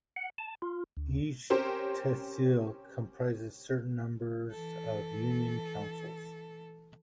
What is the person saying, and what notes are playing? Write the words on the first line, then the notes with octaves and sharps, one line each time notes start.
Each Tehsil comprises certain numbers of union councils.
F#5
A5
F4
D2
C4 C#4 G4 A#4 C5
E3 A4